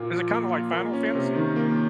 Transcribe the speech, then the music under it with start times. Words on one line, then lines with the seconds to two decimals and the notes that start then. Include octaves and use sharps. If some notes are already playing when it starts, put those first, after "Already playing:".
Is it kinda like Final Fantasy?
Already playing: A#2 A#3 F4
0.11 F3
0.31 A#3
0.52 F4
0.72 A#3
0.93 C#4
1.15 C3
1.36 D#3
1.56 A#3